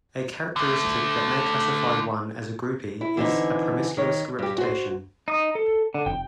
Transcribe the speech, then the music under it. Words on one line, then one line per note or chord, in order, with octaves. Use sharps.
A characteristic that may classify one as a groupie is a promiscuous reputation.
D3 A3
E4
D3 E3 C4 D4 D#4
D#3 C#5
G2 G4
F#4 C5
D#4 D#6
A4
D3
F1 G5